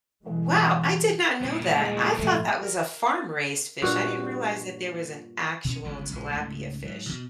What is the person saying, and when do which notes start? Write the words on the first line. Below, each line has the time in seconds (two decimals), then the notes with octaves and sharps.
Wow, I did not know that, I thought that was a farm-raised fish, I didn't realize that there was an actual tilapia fish.
0.23 G2 B2 D3 E3 G3 G#3
1.41 G2 A#2
1.76 G#3
2.19 G#2 F3 A3
2.63 A#4
3.82 G2 A#2 F#4
5.64 B2 C#4
5.84 G1 C#2 G2
6.11 A#1 G#3
6.32 C#2 G#2 C#3 A3
6.83 G#2 F#3
7.09 B2